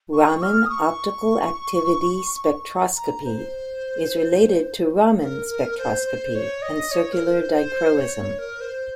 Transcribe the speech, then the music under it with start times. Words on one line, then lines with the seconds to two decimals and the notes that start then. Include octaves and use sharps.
Raman optical activity spectroscopy is related to Raman spectroscopy and circular dichroism.
0.13 C#6
0.42 F6
0.65 D#6
0.70 C#6
2.96 A#5
3.24 C5
5.21 A#4
5.49 A#4
5.71 A#4
5.78 C5
6.06 C5
6.35 C#5
6.62 D#5
6.91 C#5
7.12 A#4
7.33 C5
7.54 C5
7.75 C5
7.97 C#5
8.17 C#5
8.38 A#4
8.61 C5